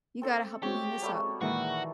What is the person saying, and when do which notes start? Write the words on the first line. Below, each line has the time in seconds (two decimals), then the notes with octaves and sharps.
you gotta help clean this up."
0.22 C4 A4 E6
0.63 G#3 C4 F#4 G4 C#5
1.02 F#3 G3 A3
1.41 A#2 D#3 E3 G#3 F#4